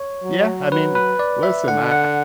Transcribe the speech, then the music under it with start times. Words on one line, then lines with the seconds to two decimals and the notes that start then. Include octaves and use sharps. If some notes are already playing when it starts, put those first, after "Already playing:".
Yeah. I mean, listen. I
Already playing: C#5
0.23 F#3
0.71 F#3 B4
0.95 B4
1.19 D5
1.43 E5
1.67 D3 F#5
1.91 F#5